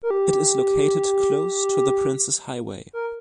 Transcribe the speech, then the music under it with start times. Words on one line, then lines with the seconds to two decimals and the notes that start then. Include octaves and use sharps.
It is located close to the Princes Highway.
0.03 A#4
0.10 G4
2.93 A#4